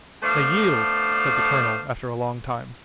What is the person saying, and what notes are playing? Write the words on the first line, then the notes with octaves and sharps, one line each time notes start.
"They yield," said the colonel, after a long time.
A3 B3 D4 C5 F5